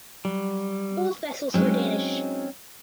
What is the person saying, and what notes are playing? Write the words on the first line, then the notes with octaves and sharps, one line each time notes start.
Both vessels were Danish.
F#3 G3
F#3 G#3 C4 C#4 D#4